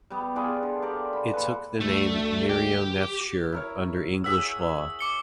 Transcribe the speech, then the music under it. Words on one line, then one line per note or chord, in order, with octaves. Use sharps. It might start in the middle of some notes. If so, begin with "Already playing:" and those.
It took the name Merionethshire under English Law.
G3 B3
B3 F4 G#4 D5
D3
G4 A#4 D5
B5
A#2 A4 B4
D2 A3
G4
E4 A#4 C#5
G#4 E5 F#5 E6
D6 C#7 G7